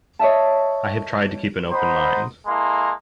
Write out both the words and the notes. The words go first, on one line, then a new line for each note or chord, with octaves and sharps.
I have tried to keep an open mind.
C#5 D#5 E5 A5
C5 D#5 F#5 A#5 B5
G#3 A#3 E4 A4 A#5 C6